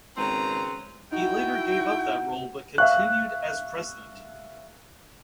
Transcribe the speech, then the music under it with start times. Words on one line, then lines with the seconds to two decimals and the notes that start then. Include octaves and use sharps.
He later gave up that role but continued as President.
0.17 G#1 C#3 C4 B4 A#5
1.12 D#4 E4 F#4 G5
2.78 E5 F5 C#6 F#6